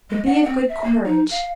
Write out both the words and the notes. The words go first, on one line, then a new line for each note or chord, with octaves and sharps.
But be of good courage.
G#3
F#5
C4
E5
A#3
D#4
F5